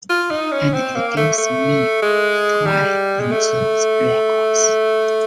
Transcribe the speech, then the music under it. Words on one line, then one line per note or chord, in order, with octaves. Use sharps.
And it gives me pride in those records.
F4
D#4
C#4
C4
A#3
A3
A3
G#3
G3
G#3
A3